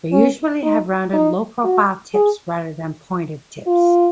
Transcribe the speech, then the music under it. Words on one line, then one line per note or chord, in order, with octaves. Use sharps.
They usually have rounded, low-profile tips rather than pointed tips.
C#4
D#4
D#4
F#4
G#4
F4